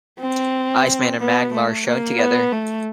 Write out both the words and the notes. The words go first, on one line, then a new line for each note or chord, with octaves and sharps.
Iceman and Magma are shown together.
C4
B3
A3
A#3
B3
A3